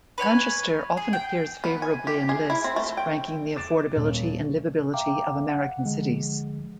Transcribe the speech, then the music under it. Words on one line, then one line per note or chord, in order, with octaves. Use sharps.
Manchester often appears favorably in lists ranking the affordability and livability of American cities.
B4 C#5 G5 G#5
G#4
G5
B3
G#5
G4
G#4
E4
C4
A3
G5
D6 A6 D7 E7
D#1
E5 F5 G5 A#5 D6
F#5
D3 F3 G#3